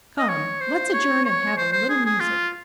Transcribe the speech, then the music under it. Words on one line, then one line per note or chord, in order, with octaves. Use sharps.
"Come, let's adjourn and have a little music."
D#5
C#5
C5
C#5
C#5
C5
C5
G#4
G#4
F4